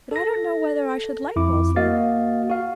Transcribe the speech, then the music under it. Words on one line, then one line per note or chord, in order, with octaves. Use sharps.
But I don't know whether I should like Wellesley.
A4 A#6
F2 E4 D6
A#3 F#4 D#5 F5 A6
F#4 F5